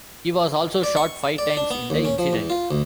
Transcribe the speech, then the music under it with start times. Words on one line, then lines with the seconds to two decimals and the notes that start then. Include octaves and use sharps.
He was also shot five times in the incident.
0.84 D5
0.97 C#6
1.38 D5
1.57 D4
1.70 B3
1.90 D#2
2.05 C#4
2.18 F3
2.33 E2
2.50 F4
2.71 D2